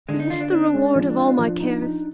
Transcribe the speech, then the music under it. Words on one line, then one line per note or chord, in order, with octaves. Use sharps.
Is this the reward of all my cares?
D3 G#3
D#4
D3 F4
D4
C4 D4
G#3
F3
F4
F3
D#4
D#4